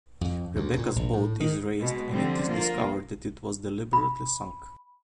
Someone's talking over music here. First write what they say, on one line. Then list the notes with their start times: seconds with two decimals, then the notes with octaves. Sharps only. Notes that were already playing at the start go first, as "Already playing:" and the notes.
Rebecca's boat is raised and it is discovered that it was deliberately sunk.
0.21 F2
0.56 D2
0.78 A#2
0.96 A#1
1.13 A2
1.40 D#3
1.80 B2 G#3
2.12 D3 F3 G3 C4
2.47 A#3 F4
3.93 B5